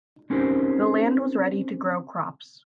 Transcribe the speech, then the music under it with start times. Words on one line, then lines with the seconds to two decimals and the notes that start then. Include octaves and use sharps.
The land was ready to grow crops.
0.30 C4 C#4 D#4 G4 A#4 C5